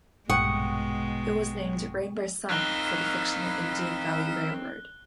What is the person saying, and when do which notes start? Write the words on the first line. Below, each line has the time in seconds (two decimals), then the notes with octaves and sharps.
It was named "Rainbow Sun" for the fictional Indian Valley Railroad.
0.30 A#1 G2 B2 G#3 F#5 G5 C#6 D#6
2.50 C4 D#4 A#4 F5 B5 E6 F#6 G7